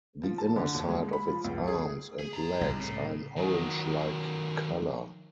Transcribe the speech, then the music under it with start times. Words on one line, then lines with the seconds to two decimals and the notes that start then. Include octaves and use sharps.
The inner side of its arms and legs are an orange-like color.
0.23 F3
0.38 A5
0.56 D3
0.74 D#2
0.89 G#3
1.13 B5
1.28 F3
1.45 C#2
1.68 G#4
2.20 G#4
2.33 G#2 A#5
2.61 C2
2.79 A2 C#3
3.36 D#3 F#3